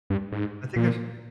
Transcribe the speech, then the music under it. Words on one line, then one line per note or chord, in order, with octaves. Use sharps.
I think there's
G2
G#2
A#2